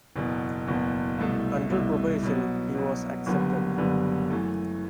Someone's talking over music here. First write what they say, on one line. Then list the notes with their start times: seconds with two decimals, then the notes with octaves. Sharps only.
Under probation, he was accepted.
0.16 F#1 E2 B2
0.68 F#1 E2 B2
1.19 C2 B2 A3 E4
1.70 C2 B2 A3 E4
2.23 B2 F#3 B3
2.75 B2 F#3 B3
3.26 F#1 F#2 D3 G3 B3
3.78 F#1 F#2 D3 G3 B3
4.30 F#2 E3 A3